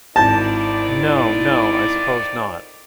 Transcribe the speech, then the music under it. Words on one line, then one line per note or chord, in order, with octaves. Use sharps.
No, no, I suppose not.
G#1 F2 D#3 E4 D5 A5 G6 A#6